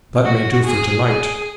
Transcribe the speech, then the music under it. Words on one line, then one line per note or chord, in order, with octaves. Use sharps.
That may do for to-night.
F#4
G#4
G#4